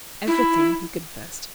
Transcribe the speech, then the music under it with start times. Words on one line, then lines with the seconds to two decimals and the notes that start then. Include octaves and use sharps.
"Everything," he confessed.
0.27 E4